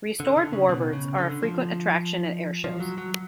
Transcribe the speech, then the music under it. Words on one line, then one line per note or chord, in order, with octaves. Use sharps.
Restored warbirds are a frequent attraction at airshows.
D3
D3
C#3
B2
C#3
D3
F3
F3
F#3
F#3